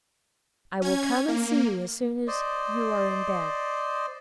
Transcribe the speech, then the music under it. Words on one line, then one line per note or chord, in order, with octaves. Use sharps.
I will come and see you as soon as you are in bed.
C#4 G#6
A#3
C5 D5 D#5